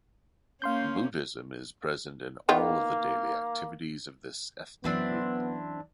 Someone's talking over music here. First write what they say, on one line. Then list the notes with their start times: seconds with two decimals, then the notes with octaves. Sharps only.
Buddhism is present in all of the daily activities of this ethnic group.
0.62 A#3 C#4 F5 C6 G6
2.49 D#3 A#3 B3 F4
4.84 F#2 E3 B3 C4 D4 E4